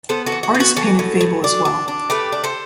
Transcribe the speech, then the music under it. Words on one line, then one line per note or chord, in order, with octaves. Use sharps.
Artists paint in fable as well.
B3 A4 C5
F#4 A4
E3
F#4
B3
F#4
E3 F#4 A4
A2
A2
D4
D4
D4
A3 G4 B4
D4
A4 C5